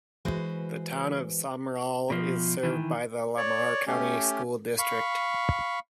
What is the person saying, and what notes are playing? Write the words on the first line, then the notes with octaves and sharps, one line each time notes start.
The Town of Sumrall is served by the Lamar County School District.
E3 G#3 F#4 B4 C5
B2 F3
D#3 E3
C#5 D5
A3 C#4 G4
F5 B5 C#6